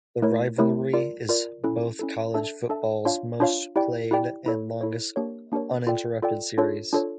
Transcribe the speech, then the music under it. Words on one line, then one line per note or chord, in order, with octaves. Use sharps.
The Rivalry is both college football's most-played and longest uninterrupted series.
A3 E4 A#4 C#5
A3 E4 A#4 C#5
F4 A#4 D5
F4 A#4 D5
C#4 E4 A4
C#4 E4 A4
D4 A4 E5 A5
D4 A4 E5 A5
D4 F4 C#5 F5
D4 F4 C#5 F5
E4 G4 D5 G5
E4 G4 D5 G5
E4 A4 C#5
E4 A4 C#5
A#3 D4 G4 A#4 C#5
A#3 D4 G4 A#4 C#5
F4 A4 D5 G5
F4 A4 D5 G5
D4 F4 A4 C#5
D4 F4 A4 C#5